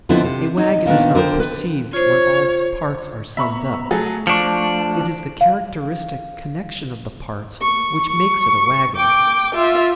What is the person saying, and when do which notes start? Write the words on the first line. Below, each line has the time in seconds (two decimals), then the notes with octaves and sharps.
A wagon is not perceived when all its parts are summed up; it is the characteristic connection of the parts which makes it a wagon.
0.09 D3 D#3 F3 B3 C4 E4
0.24 C3
0.58 D#4
0.86 A#2 D#3 B3 D4
1.15 D3 A#4 C5 G5
1.40 B4
1.93 F4 C5 C#5
3.37 B3 E5 A#5 B5 C#6
3.91 F#3 A3 G#4 A4
4.27 F3 D4 C#6 C#7
5.41 F5
7.62 C#6
8.09 C#6
8.96 G5 D6
9.55 F4 E5